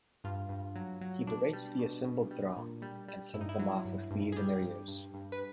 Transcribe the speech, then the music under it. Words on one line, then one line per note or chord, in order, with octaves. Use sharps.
He berates the assembled throng, and sends them off with fleas in their ears.
G2 F4
G2
F#3
F#3
B2 D4
G3
B2
B2
G3
A#2
G3
G3
G2 E4
D#4
E4
F#3
G2
G2
G#4
G3 G4
G2
G2
G2
B4